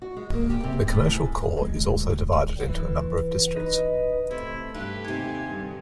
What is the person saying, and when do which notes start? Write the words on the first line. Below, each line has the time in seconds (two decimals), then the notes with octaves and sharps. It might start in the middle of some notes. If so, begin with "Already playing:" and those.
The commercial core is also divided into a number of districts.
0.02 F#4
0.17 G#3
0.34 A#3
0.49 G4
0.64 C3
0.87 A2
1.13 G#2
1.62 D2 G#3
2.69 E3
3.54 D#4 B4 D#5 B5
4.31 C3 A3 E4
4.74 G2 G4 B4
5.05 D#2 C3 G#5
5.46 G2 D3